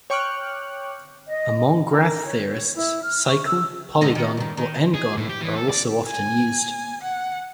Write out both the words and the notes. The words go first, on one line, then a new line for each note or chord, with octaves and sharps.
Among graph theorists, cycle, polygon, or n-gon are also often used.
C#5 G5 C#6 D6 F6 F#6
D#5
A#4
C#5
E4
F6
C#6
E6
G#2 D3 D#5
D#3
G2 D#3
D#3
G#4
A2
G4
E3
A4
D5
G#5
F#5